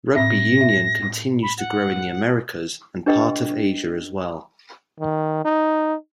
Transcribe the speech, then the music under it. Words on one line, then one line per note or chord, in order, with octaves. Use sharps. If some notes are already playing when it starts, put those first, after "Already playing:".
Rugby union continues to grow in the Americas and parts of Asia as well.
A2 C4 E5 A#6
E5
B5
F#5
D4 G4 B4 D#5 G5
D#3
D#4